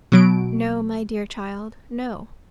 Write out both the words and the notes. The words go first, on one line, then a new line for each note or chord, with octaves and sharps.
No, my dear child; no.
B2 F#3 D7